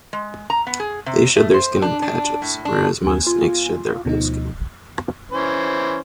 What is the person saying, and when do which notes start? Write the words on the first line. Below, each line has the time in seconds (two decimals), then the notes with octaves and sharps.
They shed their skin in patches, whereas most snakes shed their whole skin.
0.13 G#3
0.50 A#5
0.67 B3
0.80 G#4
1.06 C3
1.36 A3
1.54 C5
1.82 D4
2.02 D4
2.42 A2
2.65 D4
3.05 D#2 B3 G#5
3.27 F4
4.05 D2 B2 F3 D#4
5.31 E3 C#4 C5